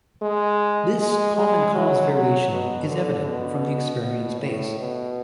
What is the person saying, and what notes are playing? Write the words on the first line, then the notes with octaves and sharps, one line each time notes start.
This "common-cause variation" is evident from the experience base.
G#3
G#3
G#3
F#3
F#3
B2
D3
B2
B2
A2
B2